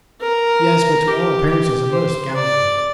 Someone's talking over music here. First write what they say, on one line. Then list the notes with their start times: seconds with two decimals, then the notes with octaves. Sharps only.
"Yes, but to all appearances a most gallant one."
0.21 A#4
1.07 G4
1.49 G4
1.92 C5
2.35 D5